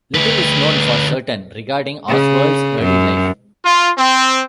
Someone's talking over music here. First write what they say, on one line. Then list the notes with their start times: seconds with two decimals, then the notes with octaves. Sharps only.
Little is known for certain regarding Oswald's early life.
0.15 D2 B4
2.09 C#3
2.82 F#2
3.65 F4
3.98 C4